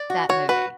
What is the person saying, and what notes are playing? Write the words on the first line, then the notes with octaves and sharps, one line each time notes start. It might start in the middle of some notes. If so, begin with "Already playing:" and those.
that movie.
Already playing: D5
F#4
F#4 C#5
F#4 B4